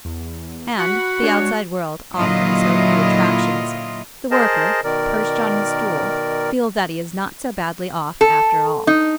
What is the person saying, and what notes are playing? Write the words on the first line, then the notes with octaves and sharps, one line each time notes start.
And, the outside world offering so few attractions, the worker, perched on his stool, feels that he is not so badly off after all.
E2
F#4 F#5 B5
G#3 D4 C#5
A#2 D3 F#3 E4 F4 D#5
G#4 A#4 C5 D#5 A5
B2 D#3 A#4 D5
A4
D#4